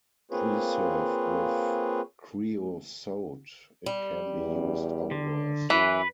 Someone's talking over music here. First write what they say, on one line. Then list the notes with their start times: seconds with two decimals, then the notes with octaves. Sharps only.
Preserved with creosote it can be used outdoors.
0.31 A#3 C4 F4 G#4 B4 C#5
3.86 G3
4.33 E2
5.11 D3
5.70 F#2 E3 B4